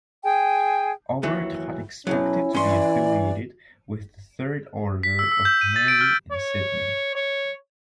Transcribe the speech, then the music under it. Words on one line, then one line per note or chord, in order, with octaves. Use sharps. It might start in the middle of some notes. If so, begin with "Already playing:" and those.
Aubert had expected to be affiliated with the Third Order of Mary in Sydney.
G#4 G5 G#5
D#2 E3 F#3
B1 F2 F#3 C#4 E4
E3 C#4 D5 C6
B6
E6
E6
G6
D#7
A6
D7
F6
C#5
C#5